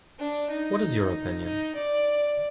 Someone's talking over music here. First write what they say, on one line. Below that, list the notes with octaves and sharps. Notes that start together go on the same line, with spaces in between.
What is your opinion?
D4
D#4
D#4
D5